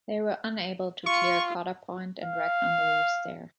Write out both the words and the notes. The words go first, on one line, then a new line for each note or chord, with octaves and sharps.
They were unable to clear Cotta Point and wrecked on the reefs there.
F4 C#6
F5